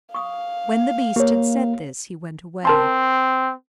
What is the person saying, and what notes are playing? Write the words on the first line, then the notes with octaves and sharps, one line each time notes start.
When the beast had said this, he went away.
F5 C#6 D#6
A#3 G4 C#5
C4 A#4 A5 C6